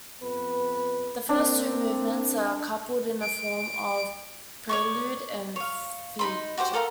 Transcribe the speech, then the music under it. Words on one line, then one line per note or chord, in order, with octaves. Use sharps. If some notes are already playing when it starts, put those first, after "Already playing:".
The first two movements are coupled in a form of prelude and fugue.
F2 B3 B4
A#3 C4 D4
D7
C#5 D5 C#6
C#5 F5
D#4 B5 C6
F#4 G4 C5 D6
A4 A#4 F5 A#5